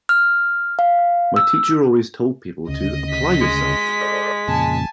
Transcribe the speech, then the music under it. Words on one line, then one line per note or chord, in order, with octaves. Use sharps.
My teacher always told people to "apply yourself!".
F6
F5
E6
D2 C#3 D#5
B6
G#3
A4 C5 D5
F2 A#2 C#3 G#5 A5